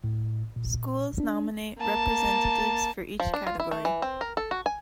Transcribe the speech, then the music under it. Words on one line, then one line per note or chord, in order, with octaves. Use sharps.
Schools nominate representatives for each category.
A2
A#2
D4
A#3 A5
F3
D4
F4
E4
A3
E3
C4
A#4
A4
F#4
G#5